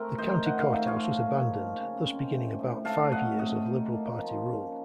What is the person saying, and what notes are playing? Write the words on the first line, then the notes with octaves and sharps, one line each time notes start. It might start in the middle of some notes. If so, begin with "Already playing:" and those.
The county courthouse was abandoned, thus beginning about five years of Liberal Party rule.
Already playing: A3 C4 A#4
D#3 C5 D#5
D#4 F#5
F5
A3 D#5
C#5 F5
F3
A#3
F3
C#3
C4
A3
A2
A3 F5 A5
F#3 D#5 F#5
C3 D#5 F#5
D#4
A#3
F3
C#4